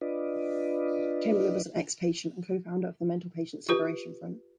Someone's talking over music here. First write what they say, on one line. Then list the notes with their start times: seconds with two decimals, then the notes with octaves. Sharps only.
Chamberlin was an ex-patient and co-founder of the Mental Patients' Liberation Front.
0.01 D4 F4 B4 D5 D#5
3.69 F4 G4 B4